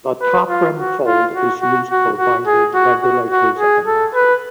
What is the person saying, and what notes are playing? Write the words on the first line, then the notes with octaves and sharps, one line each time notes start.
The toprim fold is used for binding regulators and metals.
B4
F4
F#4
F4
F#4
F#4
F#4
F#4
G#4
F#4
F#4
F#4
G#4
A4
B4